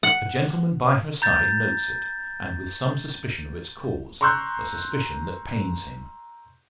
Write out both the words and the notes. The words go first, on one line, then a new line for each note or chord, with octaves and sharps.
A gentleman by her side notes it, and with some suspicion of its cause--a suspicion that pains him.
F#5
A#5 G6 A6
A#5 C6 C#6 E6 F#6 G6